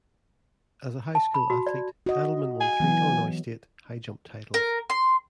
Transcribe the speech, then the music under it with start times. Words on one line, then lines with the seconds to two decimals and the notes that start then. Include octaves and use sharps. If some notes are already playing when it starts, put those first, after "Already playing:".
As a high school athlete, Eddleman won three Illinois state high jump titles.
1.15 A5
1.34 B5
1.50 F#4
1.67 D5
2.06 F#4 D#5
2.61 G#5
2.80 E3 F#3 B3
4.54 A#4
4.90 C6